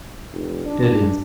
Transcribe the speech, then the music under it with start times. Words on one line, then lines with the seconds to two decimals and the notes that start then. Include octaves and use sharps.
It is.
0.33 F1
0.66 D4